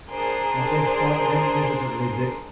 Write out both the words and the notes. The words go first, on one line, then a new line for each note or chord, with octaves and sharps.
But they fought magnificently, Dick!
D4 G#4 A#4 C5 C6